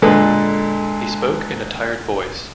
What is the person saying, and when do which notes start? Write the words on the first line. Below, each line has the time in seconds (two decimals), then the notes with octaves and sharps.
He spoke in a tired voice.
0.02 A#2 D3 G#3 A4 B4